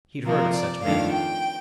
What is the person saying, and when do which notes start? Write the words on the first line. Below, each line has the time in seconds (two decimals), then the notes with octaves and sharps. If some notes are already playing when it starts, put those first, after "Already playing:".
He'd heard of such men.
0.25 C3 F3 A#3 A#4
0.54 D5
0.83 F2 D#3 A3 D4 F5
1.12 G5